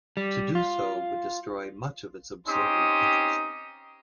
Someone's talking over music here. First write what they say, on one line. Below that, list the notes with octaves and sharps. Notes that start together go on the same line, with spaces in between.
To do so would destroy much of its absorbing interest.
G3
F4
C4 C#4 D#4 G4 C6 D#6